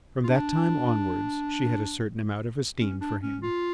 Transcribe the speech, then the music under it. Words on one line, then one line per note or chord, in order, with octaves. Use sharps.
From that time onwards she had a certain amount of esteem for him.
F4
D4
C#4
D4
C#4
F4